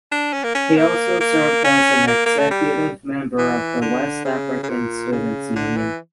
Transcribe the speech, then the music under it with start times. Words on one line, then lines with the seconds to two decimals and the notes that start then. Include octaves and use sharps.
He also served as an executive member of the West African Students Union.
0.12 D4
0.33 C#4
0.44 A#3
0.55 C#4
0.77 A#3
1.21 A#3
1.64 C#4
2.07 A#3
2.26 A#3
2.39 A3
2.51 G3
3.38 E3
3.82 D3
4.25 C#3
4.63 C#3
4.69 A#2
5.12 C#3
5.56 D3
5.77 E3